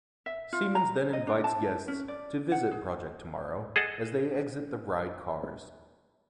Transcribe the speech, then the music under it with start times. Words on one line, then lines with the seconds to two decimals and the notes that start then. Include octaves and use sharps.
Siemens then invites guests to visit Project Tomorrow as they exit the ride cars.
0.26 E5
0.53 F4
0.75 A#5
1.13 D#5
1.27 D4
1.44 A5
1.88 C#4
2.08 D5
2.52 F#5
2.71 G#4
3.76 G#4 A4 D#5 F#5 A5